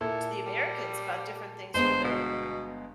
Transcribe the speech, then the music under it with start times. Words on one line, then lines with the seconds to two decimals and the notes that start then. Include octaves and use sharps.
to the Americans about different things for the
0.01 A#2 E4 A4
0.45 G3
1.74 G1 G#3 B3 C5
2.04 B2